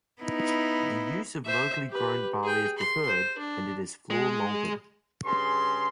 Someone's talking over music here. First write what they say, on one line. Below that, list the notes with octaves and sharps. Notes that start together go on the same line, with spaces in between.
The use of locally grown barley is preferred, and it is floor-malted.
B3 D#4 E4
C5 E5
G4 B4
G#4 G5
C6
C5
D4
G#3
G2 C#3 G#4 C6